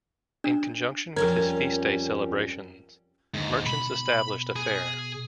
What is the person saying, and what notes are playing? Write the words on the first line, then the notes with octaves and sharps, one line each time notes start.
In conjunction with his feast day celebrations, merchants established a fair.
D4
F2 G3 C#4 A#4 G#6
D#2 G#2 D3
B2 B5
G#4